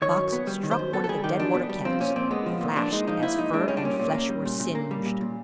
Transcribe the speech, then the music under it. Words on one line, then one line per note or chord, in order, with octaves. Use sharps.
The box struck one of the dead water-cats, flashed as fur and flesh were singed.
D#3 C#5
F#2
B3
G3
D#3
C5
F#2
B3 A4
A4
G3 G#4
D#3 G4
F#2 D4
B3
G3
F3 C4
A#2 C#4
A#2 C4
G#3 B3
F3
A#2
A#2 D4
G#3 D#4
F3 D#4
A#2 E4
A#2 D#4
G#3 D4
G3 C#4
D4
A#2 C#4
A#2
A#3
G3
A#2
A#2
A#3
G3
A#2
A#2